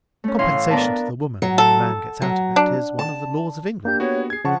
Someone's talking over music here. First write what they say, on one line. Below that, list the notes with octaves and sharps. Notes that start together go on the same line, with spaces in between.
Compensation to the woman when the man gets out of it, is one of the laws of England.
A3 C#4
A2 E3 F5 C6
B3 D4 A#4 B4 A5
F#3
A4
F#3
D4
A5
A#3 D4 G4 G6
B3 F#4 C#5
G#4 G#6 C7
C#3 F3 F#5 A5 C#6